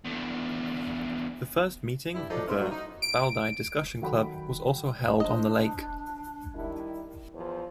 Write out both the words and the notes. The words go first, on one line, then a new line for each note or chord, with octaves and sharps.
The first meeting of the Valdai Discussion Club was also held on the lake.
E2 D3
G2 E4
F3 F#3 D4 D#4 A4 D5
B3 C#4 E4 A#4 C5 E5
F#3 A3 F#4
D#4
D7
D#3 F#3 A4 F#5 G5 B5
D4 C5 D#5
D#3 G3 E4
E2 F3 C5